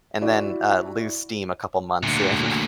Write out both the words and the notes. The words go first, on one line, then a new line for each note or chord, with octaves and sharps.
and then, uh, lose steam a couple months in.
E4 F#4 D5
D2 A#2